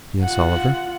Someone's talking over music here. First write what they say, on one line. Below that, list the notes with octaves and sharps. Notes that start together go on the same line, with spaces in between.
"Yes, Oliver?"
F4 F#5